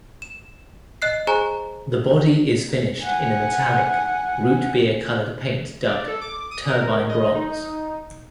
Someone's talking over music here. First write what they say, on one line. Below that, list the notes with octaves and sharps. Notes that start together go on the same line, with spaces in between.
The body is finished in a metallic, root beer-colored paint dubbed "turbine bronze".
E7
D#5 F#6 C7
G#4 C5 G#5 A#5
F#5 G#5
D5
A4
D6
D#6
A#4
D#5
D#4